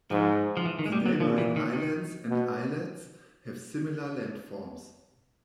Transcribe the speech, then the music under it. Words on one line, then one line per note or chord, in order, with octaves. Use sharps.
The neighboring islands and islets have similar landforms.
G#2 F3
F3
E3
D#3
G#3
G3
F#3
A#2 F3
E3
D#3
D#3
B2